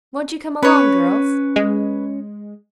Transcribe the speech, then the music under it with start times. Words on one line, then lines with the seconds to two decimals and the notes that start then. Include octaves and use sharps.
"Won't you come along, girls?"
0.63 C#4 B4 C#5
1.56 G#3